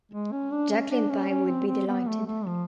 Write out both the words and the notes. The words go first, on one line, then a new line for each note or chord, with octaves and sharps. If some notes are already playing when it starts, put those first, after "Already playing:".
Jacqueline Pye would be delighted.
G#3
C#4
D4
C#4
D4
C#4
C#4
C4
C4
B3
A3
A3
F3